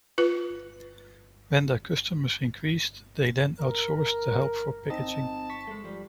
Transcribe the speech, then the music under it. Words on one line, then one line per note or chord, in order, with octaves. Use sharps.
When their customers increased, they then outsourced the help for packaging.
F4 B4
A#4
C4 D#4 D#5 A5
C#6 B6
G#3 A3
F3 G3